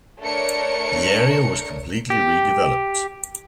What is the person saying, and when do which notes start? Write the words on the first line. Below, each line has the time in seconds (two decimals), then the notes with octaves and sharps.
The area was completely redeveloped.
0.21 A3 D4 A#4 C#5 C#7
2.10 G4